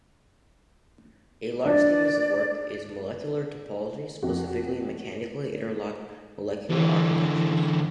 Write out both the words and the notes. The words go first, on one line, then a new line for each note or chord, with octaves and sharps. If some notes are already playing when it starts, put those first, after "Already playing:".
A large theme of his work is molecular topology, specifically mechanically-interlocked molecular architectures.
D4 D5
F2 F#4
D3 E3